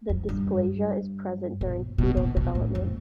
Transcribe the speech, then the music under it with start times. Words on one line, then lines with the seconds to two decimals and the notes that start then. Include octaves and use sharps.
The dysplasia is present during fetal development.
0.09 F2
0.29 G2
1.61 B2
1.98 B2
2.17 B2
2.37 B2
2.55 A2
2.75 F2